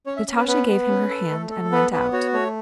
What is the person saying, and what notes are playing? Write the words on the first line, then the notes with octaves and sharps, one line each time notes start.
Natasha gave him her hand and went out.
C#4 C#5
E5
C#4
B4
B3 B4
B3
C#4
A4
A3
A4
B3 B4
B3 B4
F#4 C#5
A3 C#5